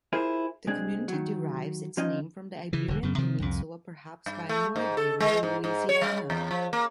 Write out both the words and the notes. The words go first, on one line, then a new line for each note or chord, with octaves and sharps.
The community derives its name from the Iberian Peninsula perhaps via New Iberia, Louisiana.
E4 F4 G#4 A#4 C5
C2 G#3 C4 D4 G#4
D#3 F#3
F3 C#4 D#4 F4 D#5
C#3 E3
E1 D3
F#2 C#3
C3 D#3 F3
C2 F2
G2
A3
G#2
A4
G#3
G#2
G#2
C#5
G3
E2
F3
A#3